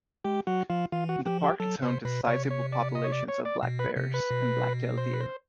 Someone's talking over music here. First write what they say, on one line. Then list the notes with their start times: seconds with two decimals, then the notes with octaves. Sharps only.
The park is home to sizable populations of black bears and Black-tailed deer.
0.24 G#3 G4
0.47 F#3 F#4
0.70 F3 F4
0.92 E3 F4
1.09 F#4
1.26 F3 G4
1.43 G4
1.60 F#3 A4
1.82 C3 C5
2.05 B2 B4
2.27 C3 C#5
2.51 C#5
2.73 D5
2.95 D#5
3.04 C#5
3.12 D5
3.28 C#5
3.45 D5
3.63 B2
3.79 B4
3.96 C3
4.14 B4
4.31 B2
4.98 C5
5.14 B4
5.21 C5